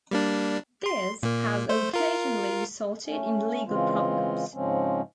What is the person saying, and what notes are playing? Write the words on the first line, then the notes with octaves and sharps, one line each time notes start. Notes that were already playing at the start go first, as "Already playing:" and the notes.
This has occasionally resulted in legal problems.
G3 A#3 D4
C6
A#2 A#3
A3 C5
F4 A#4
A3 C#4
C#3 E3 G#3 C4 F4
G#2 C#3 F3 G#3 C4 C#4